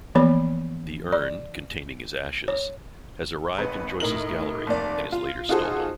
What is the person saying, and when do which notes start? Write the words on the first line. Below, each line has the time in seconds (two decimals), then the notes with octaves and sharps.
The urn, containing his ashes, has arrived in Joyce's gallery, and is later stolen.
0.15 E3 F3 A#3 B3 C#5 B5
1.12 D5
2.48 C#5
3.58 G#1 B4
4.00 A2 D#4 A#4 F#7
4.67 F1 A#3 D5
5.12 F4
5.49 D#4 F4 F#4 G#4 A4 C5